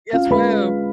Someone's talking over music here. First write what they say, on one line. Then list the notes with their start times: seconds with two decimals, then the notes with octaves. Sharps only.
Yes, ma'am.
0.13 C#4 F4 F5
0.31 G#3 B4 B5